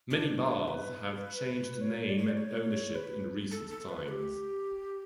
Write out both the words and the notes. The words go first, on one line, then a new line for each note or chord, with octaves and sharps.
Many bars have changed name and ownership in recent times.
D4
B4
C#5
D5
C#5
D5
C#5
B4
A4
A4
B4
G4